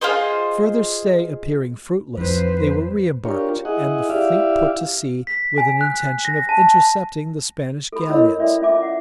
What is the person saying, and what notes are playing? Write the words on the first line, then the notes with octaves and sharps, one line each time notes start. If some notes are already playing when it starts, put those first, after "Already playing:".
Further stay appearing fruitless, they were reembarked; and the fleet put to sea with an intention of intercepting the Spanish galleons.
F4 G#4 C5 D#5
F2 B4 C5
D4 F4 G4 A#4 C#5
E4 G#4 D#5 F#5
E4 G4 D5 E5 F5
B6
G#5
F#6
A#6
A5
A4 B5
E4 A#4 C#5 D#5 B5
C#4 A4 D5 E5 B5
C#4 F4 E5 G#5 D6
F#5